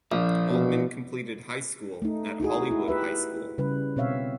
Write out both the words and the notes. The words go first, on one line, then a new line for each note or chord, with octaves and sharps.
Altman completed high school at Hollywood High School.
A#1 F3
B2
A3 D#4
D#4 E4 F#4 G#4
E4
G4 B4 E5
C#3 G3 B4
B2 C4 C#5 E5 F5